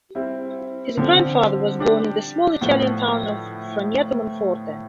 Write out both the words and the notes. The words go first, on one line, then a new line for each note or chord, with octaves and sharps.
His grandfather was born in the small Italian town of Fragneto Monforte.
G3 C4 E4
D3 F3 C4
G3 D4 G4 D5
A2 F3 B3